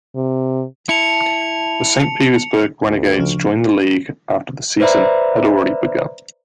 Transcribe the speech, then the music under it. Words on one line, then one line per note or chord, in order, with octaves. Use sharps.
The Saint Petersburg Renegades joined the league after the season had already begun.
C3
E4 A5 C#7 F7
D2
C#3 F3 D4
B4 C5 D5 E5 A#5 B5